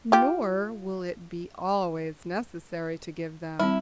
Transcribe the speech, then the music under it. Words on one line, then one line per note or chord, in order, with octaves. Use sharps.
Nor will it be always necessary to give them.
F4 G4
G3 C4 E4